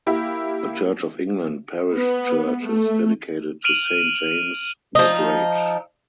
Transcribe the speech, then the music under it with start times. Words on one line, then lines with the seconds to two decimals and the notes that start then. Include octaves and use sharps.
The Church of England parish church is dedicated to Saint James the Great.
0.06 A#3 E4 G4
1.94 B3
2.63 A3
3.64 F6 D7 D#7 F7 F#7
4.95 F3 D#4